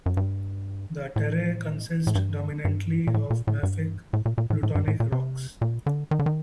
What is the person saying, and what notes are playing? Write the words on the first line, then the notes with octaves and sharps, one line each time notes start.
The terrae consist dominantly of mafic plutonic rocks.
F#2
G2
A2
A2
G2
G2
A#2
A2
A#2
A2
G2
A2
A#2
A#2
A2
A2
G2
A2
A#2
C3
A#2
D3
D#3
D3
D#3